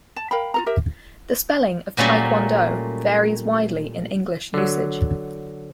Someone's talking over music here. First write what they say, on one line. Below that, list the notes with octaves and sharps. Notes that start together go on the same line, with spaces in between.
The spelling of "taekwondo" varies widely in English usage.
A5
A#4 F5 G5 B5
F4 A4 A#5
G4 A#4 E5
A#2 F#3 G3 A3 A#3 C#4
D3 F#3